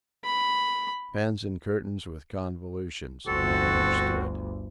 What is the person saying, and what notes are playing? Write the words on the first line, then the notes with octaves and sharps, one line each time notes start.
Bands and Curtains with convolutions--not understood.
B5
G1 D2 C4 F#4 A4